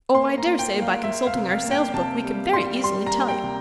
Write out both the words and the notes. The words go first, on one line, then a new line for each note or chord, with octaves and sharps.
Oh, I daresay by consulting our sales book we could very easily tell you.
A#3 C6
A#5
A#3
G5
A#3
F5
A#3 E5
F5
C3
F5
A#3
G5
C3 A5
G3
G3 C6
G3 C6
A#5
A#3
G5
C3